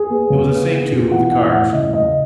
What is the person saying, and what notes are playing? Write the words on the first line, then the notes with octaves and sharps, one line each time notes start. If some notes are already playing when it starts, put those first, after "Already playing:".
It was the same too with the cards.
Already playing: G#4
B3
C#3
B3
B3
B2
E3 F#5
E3 F#5
A2 E5
C#3 D#5
C#3 D#5